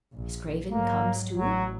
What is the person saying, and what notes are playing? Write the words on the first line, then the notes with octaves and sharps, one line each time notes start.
Miss Craven comes too?
A#1
G#2 F#3 A#3
A1 F#3